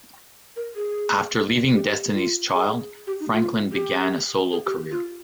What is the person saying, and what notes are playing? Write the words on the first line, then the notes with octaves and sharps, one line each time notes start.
After leaving Destiny's Child, Franklin began a solo career.
A#4
G#4
G4
F4
G#4
G4
D#4
F4
G4
G#4
G4
F4